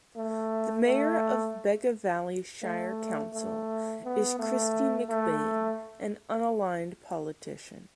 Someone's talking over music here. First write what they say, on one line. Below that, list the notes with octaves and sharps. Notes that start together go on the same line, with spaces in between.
The Mayor of Bega Valley Shire Council is Kristy McBain, an unaligned politician.
A3
A3
A3
A3
B3
A3
A3